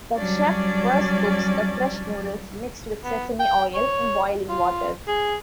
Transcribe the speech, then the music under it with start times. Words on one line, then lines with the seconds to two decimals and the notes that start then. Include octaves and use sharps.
The chef first cooks the fresh noodles mixed with sesame oil in boiling water.
0.17 F#3 G3 C#4 D4 D5
3.04 B3
3.40 G5
3.75 C#5
4.49 F4
5.08 G#4